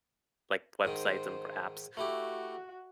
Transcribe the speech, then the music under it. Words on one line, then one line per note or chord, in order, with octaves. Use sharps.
like, websites and br apps.
G#2 D#3 C5
A3 E4 F#4 G4